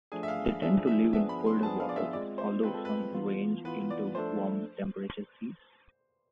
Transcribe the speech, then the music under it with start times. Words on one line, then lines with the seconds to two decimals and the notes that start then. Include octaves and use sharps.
They tend to live in colder waters, although some range into warm-temperate seas.
0.12 F3 A3 D4 G#4 G#5
0.23 E5
0.28 F5
0.46 F5
0.62 F3 A3 D4 G#4 E5
0.87 E5
1.12 F3 B3 D4 G#4 E5
1.29 B5
1.47 C6
1.63 F3 B3 D4 G#4 A5
1.80 F5
1.89 D5
1.96 E5
2.13 G#3 C4 F4 D5
2.38 C5
2.63 G#3 C4 F4 B4
2.74 A4
2.85 B4
3.14 E3 B3 F4
3.65 E3 B3 F4 B4
3.90 D5
4.15 F3 A3 D4 A4 C5